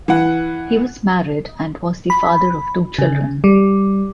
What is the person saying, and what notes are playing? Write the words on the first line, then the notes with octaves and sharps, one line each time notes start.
He was married and was the father of two children.
E3 F#5
B5
C#3
G3